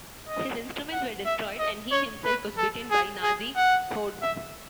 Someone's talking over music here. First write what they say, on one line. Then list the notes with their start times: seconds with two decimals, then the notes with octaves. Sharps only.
His instruments were destroyed and he himself was beaten by Nazi hordes.
0.28 D#5
0.92 F#5
1.25 E5
1.59 D#5
1.92 C#5
2.25 B4
2.58 A4
2.91 G#4
3.23 G#4
3.57 F#5
4.22 E5